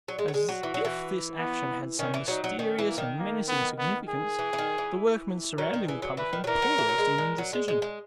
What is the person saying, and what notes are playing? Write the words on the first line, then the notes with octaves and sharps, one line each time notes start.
As if this action had some mysterious and menacing significance, the workmen surrounding the publican paused in indecision.
F#3
G#3
F#3
G#3
F#3 F#4
E3
F#3
E3
B3
D#3 C#4
E3
F#3 D#4
F#3
D#3 C#4
E3
A#3
D#3
A#3
B3
B3
G#4
E3
E3
D#3
E3
F#3 A#4
D#3
E3 G#4
F#3
E3 B4
D#3
F#3
E3 A#4
F#3
E3
F#3
G#3
G#3
F#3
G#3
G#3
G#3